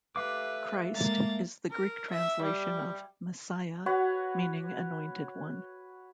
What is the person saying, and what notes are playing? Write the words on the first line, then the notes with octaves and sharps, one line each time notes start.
"Christ" is the Greek translation of "Messiah", meaning "Anointed one".
A3 G4 B4 F5 D6
G#3 A#3 A#5 A6
A#4
E5
G3
F#4 B4 C#5 F#5